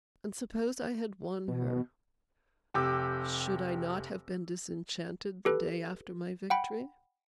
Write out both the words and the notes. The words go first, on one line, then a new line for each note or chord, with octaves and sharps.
And suppose I had won her, should I not have been disenchanted the day after my victory?
B2
F1 G4 D6 E6
G4 A4 B4
F#5 G5 B5